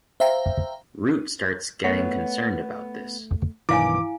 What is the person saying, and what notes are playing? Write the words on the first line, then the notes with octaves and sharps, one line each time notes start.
Root starts getting concerned about this.
C5 E5 F5 G5 A#5
A3 B3 C#5 F#5
B1 G2 D#3 E3 E4 F5 G#5 D6